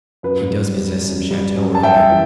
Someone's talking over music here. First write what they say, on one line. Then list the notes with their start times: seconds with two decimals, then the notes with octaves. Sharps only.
He does possess some chateau or other.
0.23 F#2 B4
0.50 G3
0.77 G3
1.04 F#2
1.31 G3
1.57 F#2
1.75 A5
1.83 G3 E5 G5
2.10 E3